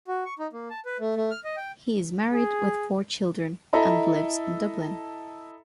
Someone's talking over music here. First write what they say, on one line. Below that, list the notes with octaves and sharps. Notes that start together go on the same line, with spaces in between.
He is married with four children and lives in Dublin.
F#4
C#6
D#4
A#3
A5
B4
A3
A3
F6
D#5
G5
G#4
E4 A4 D#5 A#5 B5